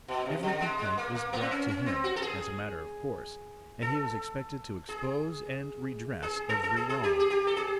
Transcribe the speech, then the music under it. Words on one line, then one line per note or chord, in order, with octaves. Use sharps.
Every complaint was brought to him, as a matter of course; and he was expected to expose and redress every wrong.
B2
C3
D3
G#3
G#3
A#3
A#3
B3
C4
C#4
C#4
C4
F#4
A4
G#4
A4
G#4
G#4
A4
A4
G#4
G#4
G4
G#4
G4
A4
G#4